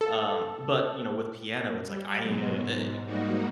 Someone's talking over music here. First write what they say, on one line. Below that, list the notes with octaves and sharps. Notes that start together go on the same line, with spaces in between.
Um, but, you know, with piano, it's like I ee uh, eh,
A4
G3
G#2 B2 F#3 G#3
G#2
G#2 G3 A#3 D#4 F#4